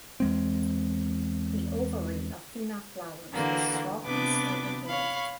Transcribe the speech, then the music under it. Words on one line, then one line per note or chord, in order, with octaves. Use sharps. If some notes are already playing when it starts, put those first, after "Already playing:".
The ovary of female flowers is stalked and slightly hairy.
E2 G#3 C4
D3 E3 A#3 F#4
C3 B3 D4 B4 D6
C#5 F5 B5